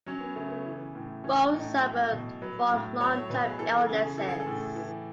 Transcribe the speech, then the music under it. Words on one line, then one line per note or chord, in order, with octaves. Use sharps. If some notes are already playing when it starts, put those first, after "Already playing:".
Both suffered from long-term illnesses.
F#3 C#4
B3
C#3 A3
B3
E3
A2
E3 C#4
A2 D#4
F#3
B2
F#3 B4
A2
F#3 C#5
B2 B4
G#4
E3 A4
C#3 G#4
E3 A4
G#4
A4
A2
E3